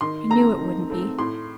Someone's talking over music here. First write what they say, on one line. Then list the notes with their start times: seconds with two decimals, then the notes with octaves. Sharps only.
'I knew it wouldn't be.
0.01 D#3 C6
0.30 A3 C4 A#5
0.60 D#3
0.90 A3 C4
1.19 A2 C6